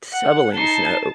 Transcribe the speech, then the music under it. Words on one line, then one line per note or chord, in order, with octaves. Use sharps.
shoveling snow.
F#5
D#4 A5 C6